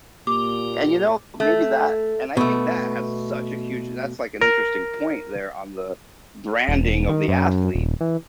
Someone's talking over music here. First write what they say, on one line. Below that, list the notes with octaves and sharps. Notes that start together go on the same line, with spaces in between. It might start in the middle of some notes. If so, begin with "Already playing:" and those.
And, you know, maybe that and I think that has such a huge that's, like, an interesting point there on the branding of the athlete.
A#2 A#3 G4 D6
A3
B2 A3
A#4
E1
D#3
F#2
D#1
E3